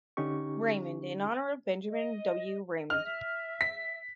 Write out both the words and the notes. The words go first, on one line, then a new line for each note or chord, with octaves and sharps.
Raymond in honor of Benjamin W. Raymond.
D3 C#4 D#4 G4 C#6
D#5
D#5 F6
E5
B6